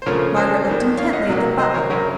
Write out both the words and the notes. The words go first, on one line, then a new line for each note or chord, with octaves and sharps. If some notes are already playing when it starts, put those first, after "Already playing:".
Margaret looked intently at the butler.
C5
C#3 F3 A3 C#4 A#4 C#5
A4 C5
F2 D#3 A#3
C#5 F5
D#5 F#5
C3 D#3 F#3 A#3
C5 D#5
A#4 C#5
F#2 C#3 F#3 A#4 C#5